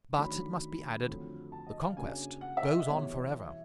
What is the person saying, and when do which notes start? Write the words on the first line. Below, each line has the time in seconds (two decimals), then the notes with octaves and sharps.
But, it must be added, the conquest goes on forever.
0.16 D#3 F#3 A3 D4 B5
1.07 F2 D3 F#3 A3
1.52 A5
1.66 D#5
1.82 F5
1.96 C#3 F#3 A#3 D4 G#5
2.41 F#5
2.57 E5
2.72 D#5
2.87 E2 B2 G3 C#5